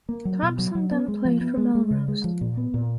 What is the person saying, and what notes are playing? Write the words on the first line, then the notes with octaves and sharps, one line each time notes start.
Thomson then played for Melrose.
A#3
F#3
B2
F#3
F#3
B3
G#3
F3
B3
G#3
G#3
C#3
G#3
F3
A#2
B3
A#2